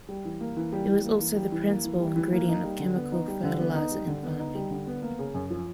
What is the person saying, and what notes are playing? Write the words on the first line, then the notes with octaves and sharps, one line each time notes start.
It was also the principal ingredient of chemical fertilizer in farming.
G3
E3
A#3
E3
G3
E3
A#3
E3
G3
E3
A#3
E3
G3
E3
A#3
D#4
G3
D3
B3
D#4
G3
D3
B3
D#4
G3
D3
B3
D#4
G3
D3
B3
A#3
C#3
F#2
F3